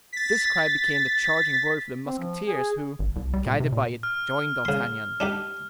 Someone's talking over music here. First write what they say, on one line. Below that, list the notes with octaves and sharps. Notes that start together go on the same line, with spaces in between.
This cry became the charging word for the musketeers, who, guided by it, joined D'Artagnan.
A6 B6
C4
F3
G#4
G#1
C2
G3
A#2
C3
A#2
F6
C#3 C6
D4 D#4 G4